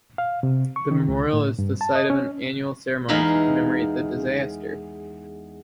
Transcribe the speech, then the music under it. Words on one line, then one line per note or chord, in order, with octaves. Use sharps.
The memorial is the site of an annual ceremony to commemorate the disaster.
F5
C3
C#6
D#3
C#2
A2
G2
A5
D#5
C#4
E2 G#3 D#4 F5 B5